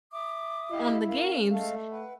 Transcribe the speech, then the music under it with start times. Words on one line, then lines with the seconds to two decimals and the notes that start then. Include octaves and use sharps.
on the games
0.12 E5 D6 D#6
0.71 E4 G4 D#5 F5
1.08 C#4 A#4 F5
1.51 G#3 A3 A4 F5
1.89 B4 F#5